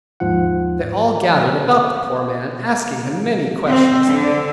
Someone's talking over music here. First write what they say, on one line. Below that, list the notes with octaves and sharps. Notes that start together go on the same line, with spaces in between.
They all gathered about the poor man, asking him many questions.
D#2 G#2 F3 F4 F#5
C4
D3